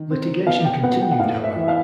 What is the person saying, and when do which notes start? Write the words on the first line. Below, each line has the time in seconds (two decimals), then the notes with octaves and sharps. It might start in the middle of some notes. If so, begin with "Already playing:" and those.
Litigation continued, however.
Already playing: D#3
0.11 C4
0.47 B3 F5
0.65 G5
0.83 B3 F#5
1.01 G5
1.11 F#5
1.19 A2 F5
1.44 E5
1.56 E3
1.68 F5